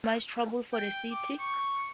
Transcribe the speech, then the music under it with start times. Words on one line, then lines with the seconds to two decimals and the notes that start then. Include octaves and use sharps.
This intense migration caused much trouble for the city.
0.73 G5
1.11 D6
1.39 C#6